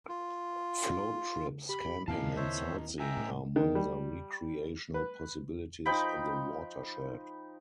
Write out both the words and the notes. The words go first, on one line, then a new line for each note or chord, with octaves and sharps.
Float trips, camping, and sightseeing are among the recreational possibilities in the watershed.
F4
G4 B5
D#2 A#2 D#3 C4 E4 F5 A5
C5 C#5 E5
F#2 G#3 E5 G5 G#5 A#5
A2
D#3
G3
B4
F3 D#4 G5 B5